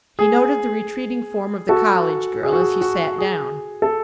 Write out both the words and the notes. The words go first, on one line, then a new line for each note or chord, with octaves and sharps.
He noted the retreating form of the college girl as he sat down.
G#4
F#4 A4
G#4
F#4
G#4
F#4
G#4
A4